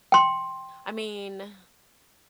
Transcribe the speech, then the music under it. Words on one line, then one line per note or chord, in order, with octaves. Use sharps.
I mean,
G5 C6